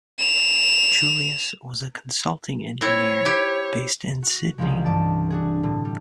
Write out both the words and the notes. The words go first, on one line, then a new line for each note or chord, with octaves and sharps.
Julius was a consulting engineer, based in Sydney.
E7 F7
C4 E4 C#5
E4 G4
F#4
C2 C#3 E3 F3 G#3
G2 D5 A5
D4 F#4 G#4
A2 D3
G3